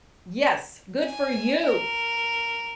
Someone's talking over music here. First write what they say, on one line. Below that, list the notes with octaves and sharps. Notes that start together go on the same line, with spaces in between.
Yes, good for you
G#5
A#4